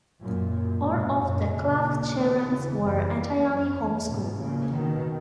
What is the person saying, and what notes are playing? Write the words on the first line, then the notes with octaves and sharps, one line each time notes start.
All of the Clerke children were entirely home schooled.
F#2 A#2
F#2
G#2 B2
F#2 A#2
A#2 C#3
B2 D#3
C#3 E3
F#2
E2
F#2
E2
G#2 B2
A#2 C#3
B2 D#3